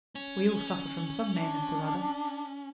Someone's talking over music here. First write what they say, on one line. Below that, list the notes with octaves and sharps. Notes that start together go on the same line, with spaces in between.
We all suffer from some madness or other.'
C#4
D4